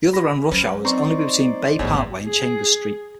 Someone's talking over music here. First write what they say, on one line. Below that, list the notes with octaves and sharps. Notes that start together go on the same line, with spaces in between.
The other ran rush hours only between Bay Parkway and Chambers Street.
B5 A#6
F#3 C#4 B4 C5
C4 D#4 C5 D5 A#5 C6 C#6
G#1 E2 A2 C#5
G#4